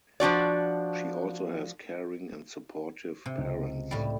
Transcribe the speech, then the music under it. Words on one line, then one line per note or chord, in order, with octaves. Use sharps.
She also has caring and supportive parents.
F3 D4 F#4 D5
C3
C#2
A2 G3